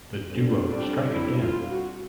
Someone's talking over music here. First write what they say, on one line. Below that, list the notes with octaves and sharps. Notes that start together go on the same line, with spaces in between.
The duo strike again!
D3 G3 C4
D4
E4
F4
F#4